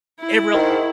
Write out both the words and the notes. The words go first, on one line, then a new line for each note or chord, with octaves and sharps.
it real
E4
G#2 D#3